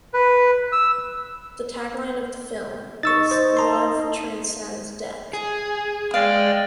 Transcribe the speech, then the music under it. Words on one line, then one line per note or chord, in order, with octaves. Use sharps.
The tagline of the film is "Love Transcends Death".
B4
E6
D#4 C#6 E6 A6
C5
A5 A#5 C6
G#4
G#3 D5 F5 G5